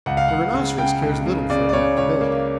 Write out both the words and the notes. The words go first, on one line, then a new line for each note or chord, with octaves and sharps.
The rhinoceros cares little for adaptability.
C#2 F#5
F5
C#2 F#5
C#3
C#3 G5
C#2
C#3
C#3 D5
D5
C#3 C#5
C#2 C#5
A#3